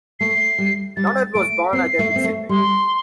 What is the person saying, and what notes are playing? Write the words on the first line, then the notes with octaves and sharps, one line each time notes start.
Lonard was born at Epping, Sydney.
A3 C7
G3
G3 A6
A3 D7
C4 C7
A3
C4
A3
G3 C6